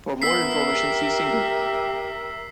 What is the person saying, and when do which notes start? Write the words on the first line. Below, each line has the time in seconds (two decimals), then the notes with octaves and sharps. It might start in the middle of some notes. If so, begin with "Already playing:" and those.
For more information, see single.
0.22 B3 A#4 E5 E6 B6 C7
0.73 G4